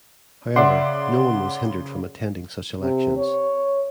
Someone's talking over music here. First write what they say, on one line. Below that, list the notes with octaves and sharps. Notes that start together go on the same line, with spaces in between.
However, no one was hindered from attending such elections.
C#3 D5 E5 F#5 C6 D6
C3
C#5